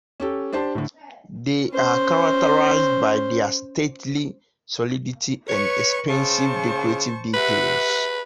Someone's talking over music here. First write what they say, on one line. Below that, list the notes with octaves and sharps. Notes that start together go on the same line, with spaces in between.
They are characterized by their stately solidity and expensive decorative details.
C#4 G4 A4
D4 G4 C5 A5 C6
A2 D3
C#4 C5
B4 C#5 C#6
C#3 C5 A5 C#6
G4 B4 E5 F#5